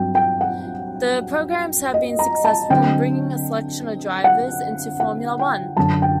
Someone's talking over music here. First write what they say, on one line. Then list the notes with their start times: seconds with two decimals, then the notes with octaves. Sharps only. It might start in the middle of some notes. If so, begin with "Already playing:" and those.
The programs have been successful in bringing a selection of drivers into Formula One.
Already playing: G2 F#3 C4 G5
0.15 G5
0.41 F#5
1.94 D#5
2.19 A#5
2.44 A5
2.70 D3 F#3 C4 G5
4.24 F#5
5.00 F#5
5.39 G5
5.77 F#2 D3 F#3 A5
6.02 G5